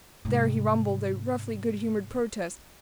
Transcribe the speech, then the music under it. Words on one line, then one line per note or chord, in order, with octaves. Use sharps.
There he rumbled a roughly good-humoured protest.
G#2 C3